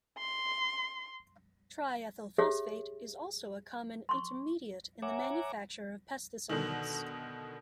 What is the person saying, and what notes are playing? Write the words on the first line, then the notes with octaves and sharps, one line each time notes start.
Triethyl phosphate is also a common intermediate in the manufacture of pesticides.
C6
G4 G#4 C#5 E5
C6 C#6
C#5 E5 F#5 G#5 A#5 D6
B2 D3 D#3